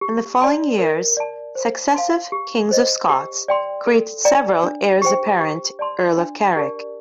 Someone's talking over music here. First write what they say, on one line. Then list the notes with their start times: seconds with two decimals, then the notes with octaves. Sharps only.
In the following years, successive Kings of Scots created several heirs-apparent Earl of Carrick.
0.01 G4
0.40 D5 A5 C6
0.79 A#4
1.17 D5 A5
1.55 C5
1.94 F5 A5 C6
2.32 G4
2.71 C5 D#5
3.09 G4
3.48 D5 G5 C6
3.86 A4
4.25 D5 G5 A#5
4.64 D4
5.02 G4 C5 G5
5.40 G4
5.79 D5 A5 C6
6.18 D4
6.56 G4 A#4 D5 A5